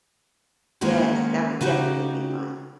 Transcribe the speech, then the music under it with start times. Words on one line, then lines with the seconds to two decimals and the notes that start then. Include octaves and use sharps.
Yes, that would definitely be fun.
0.81 D#3 G#3 A#3 B3 C#4 D#4
1.61 C#3 D#4 F#4 G4